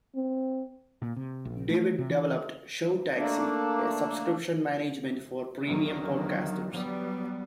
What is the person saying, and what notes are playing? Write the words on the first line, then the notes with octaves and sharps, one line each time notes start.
David developed ShowTaxi, a subscription management for premium podcasters.
C4
A#2
C3
A#1
A3
C3
E3
A3 A#3 D4
E2 D3 D#3 F#3
F#3 G3 B3